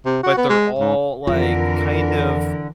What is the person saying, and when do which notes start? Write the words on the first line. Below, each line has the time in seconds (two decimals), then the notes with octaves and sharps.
but they're all, like, kind of
0.06 C3
0.23 F#4
0.37 B3
0.49 G#3
0.79 G#2
1.27 F2 D3 E3 F4 A#4